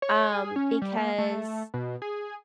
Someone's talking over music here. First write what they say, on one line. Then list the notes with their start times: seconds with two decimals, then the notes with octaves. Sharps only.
Um, because
0.02 C#5
0.32 G#4
0.56 C#4
0.82 G3
0.97 A#3
1.18 A3
1.74 B2
2.02 G#4